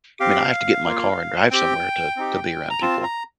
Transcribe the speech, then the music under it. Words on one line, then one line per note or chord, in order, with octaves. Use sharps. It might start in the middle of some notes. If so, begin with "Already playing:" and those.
I mean, I have to get in my car and drive somewhere to to be around people.
C4 G4 F5
A#3 F4
C4 G4 G5
C4 D#4 G4
A#5
C4 F4 A5
A#5